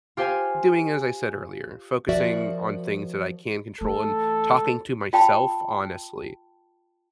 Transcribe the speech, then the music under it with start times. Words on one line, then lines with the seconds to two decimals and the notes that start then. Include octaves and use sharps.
doing as I said earlier, focusing on things that I can control and talking to myself honestly,
0.17 F4 G4 C5 F5 G#5
2.09 F3 F#4 A#4 D5 E5
3.81 E3 A3 A4
5.13 F4 G5 A5 B5